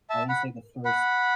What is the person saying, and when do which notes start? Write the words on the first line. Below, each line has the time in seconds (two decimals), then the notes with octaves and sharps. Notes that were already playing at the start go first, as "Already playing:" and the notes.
I wanna say the first
0.10 E5 A5
0.29 F#5 B5
0.85 F#5 B5